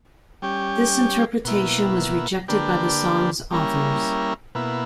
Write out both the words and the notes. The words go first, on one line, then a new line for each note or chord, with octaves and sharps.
This interpretation was rejected by the song's authors.
G3 C#4 G4
B2 A#3 E4
D3 A#3 D4 G4 B4
G3 A#3 C#4 E4 A#4
B2 A#3 E4